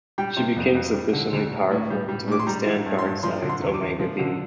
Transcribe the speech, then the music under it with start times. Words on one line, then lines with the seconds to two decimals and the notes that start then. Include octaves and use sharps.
She became sufficiently powerful to withstand Darkseid's Omega Beams.
0.18 G3 G5
0.37 C3
0.56 F2
0.75 F2
0.94 G3
1.13 D3
1.33 D2
1.51 D2
1.71 A2
1.90 G3
2.09 G3
2.27 A2 D6
2.39 C6
2.47 G3 A#5
2.66 E3
2.86 G2
2.99 C6
3.04 G2
3.23 F3 C6
3.42 D3
3.49 C6
3.62 E2
3.74 D6
3.81 E2
3.99 F3
4.19 D3